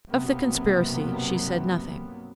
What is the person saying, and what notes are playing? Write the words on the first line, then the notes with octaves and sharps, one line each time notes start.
Of the conspiracy she said nothing.
B1 G2 C3 F#3 A#3 B3